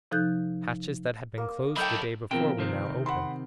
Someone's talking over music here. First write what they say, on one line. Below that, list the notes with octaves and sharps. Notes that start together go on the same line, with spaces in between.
Hatches that had been closed the day before were now open.
C3 F3 D#4 A4 F#6 G6
A#3
F#3 D#4 E4 A4 G5 B5 G6
B2 F3 C4 A#4 G5 D7
C3 D#3 C4
F#5 B5 C6